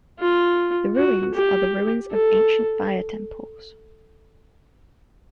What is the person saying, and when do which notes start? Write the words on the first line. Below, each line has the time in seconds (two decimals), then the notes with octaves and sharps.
The ruins are the ruins of ancient fire temples.
0.19 F4
0.96 F#4
1.35 G4
2.12 A4